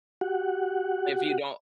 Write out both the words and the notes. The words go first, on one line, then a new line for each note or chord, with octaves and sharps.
if you don't
F#4 G4 F#5